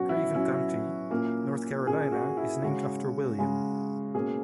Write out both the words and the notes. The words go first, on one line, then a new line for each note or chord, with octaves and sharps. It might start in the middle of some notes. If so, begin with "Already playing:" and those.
Craven County, North Carolina is named after William.
Already playing: B2 F#3 C#4 F#4
E4
B2 F#3 C#4 E4
A#2 A#3 C#4
A#2 A#3 C#4 G#4
F#4
E4
C#3 G#3 C#4 F#4
C#3 G#3 C#4
B2 A#3 C#4 G#4